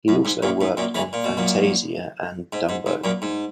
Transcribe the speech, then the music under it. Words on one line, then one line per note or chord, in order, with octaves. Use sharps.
He also worked on "Fantasia" and "Dumbo".
F#2
G#2
F#2 A#2
G#2
F#2 A#2
C#3 E3
A#2
B2
F#2 A#2
G#2
G#2
G#2
F#2 A#2
G#2